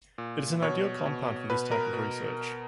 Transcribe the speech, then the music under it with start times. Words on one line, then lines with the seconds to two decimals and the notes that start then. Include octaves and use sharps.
It is an ideal compound for this type of research.
0.18 A#2
0.62 B2 C#5
1.06 B2
1.50 B2 B4
1.71 A#4
1.93 B2